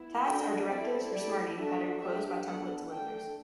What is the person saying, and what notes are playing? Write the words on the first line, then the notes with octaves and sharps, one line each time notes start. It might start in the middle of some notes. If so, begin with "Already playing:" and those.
Tags are directives for Smarty that are enclosed by template delimiters.
Already playing: B3 E4
D4 F#4 A4 G5
C4 E4 A4 D5
A3 E4 G4 D5
D4 F#4 A4 E5
D4 G4 E5
B3 D4 A4 F#5
A3 D4 A4 G5